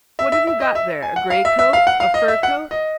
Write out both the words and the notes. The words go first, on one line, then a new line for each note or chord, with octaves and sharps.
What have you got there, a great-coat, a fur coat?
E5
E5
E5
D#5
E5
G#5
F#5
F5
E5
E5
F5
F#5
F5
D#5
E5
F#5
D#5